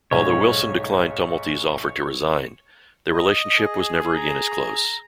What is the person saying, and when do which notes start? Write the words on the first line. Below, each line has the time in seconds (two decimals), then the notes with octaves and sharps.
Although Wilson declined Tumulty's offer to resign, their relationship was never again as close.
0.11 B1 G#2 C#5
3.13 D#5
3.59 G#4
4.16 A#5